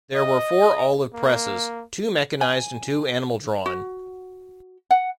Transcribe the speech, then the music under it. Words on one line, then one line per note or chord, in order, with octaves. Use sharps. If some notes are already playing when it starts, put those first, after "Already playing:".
There were four olive presses: two mechanized and two animal-drawn.
D#5
A#3
G#5
F#4
F#5